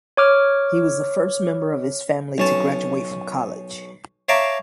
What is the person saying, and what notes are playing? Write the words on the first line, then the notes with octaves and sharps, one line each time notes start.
He was the first member of his family to graduate from college.
C#5 D6 F6
B1 C#4 A5
C#5 E5 F5 A5 A#5 D6